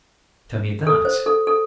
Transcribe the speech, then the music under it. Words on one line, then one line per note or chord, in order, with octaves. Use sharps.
Tell me that.
A4
C5
A4
A4